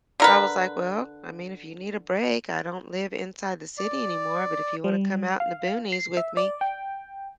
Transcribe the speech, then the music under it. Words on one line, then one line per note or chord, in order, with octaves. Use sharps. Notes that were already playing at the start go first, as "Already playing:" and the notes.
So, I was, like, well, I mean, if you need a break, I don't live inside the city anymore, but if you wanna come out in the boonies with me,
D3 A#4 B4
D5
G3
F5
C7
E5
D5
G5